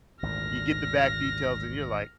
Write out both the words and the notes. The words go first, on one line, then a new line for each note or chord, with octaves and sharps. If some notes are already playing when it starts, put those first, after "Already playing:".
you get the back details and you're like,
G#1 D2 A#2 F6 A#6